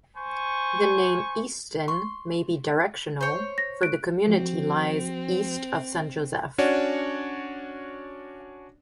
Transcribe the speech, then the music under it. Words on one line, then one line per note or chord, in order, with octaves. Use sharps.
The name Easton may be directional, for the community lies east of Saint Joseph.
C5 G#5 C#6
C6 C#6
C5 C#5
A#6
F#6 D7
F3 C4 F#4
C#4 D4 F#4 C#5 D5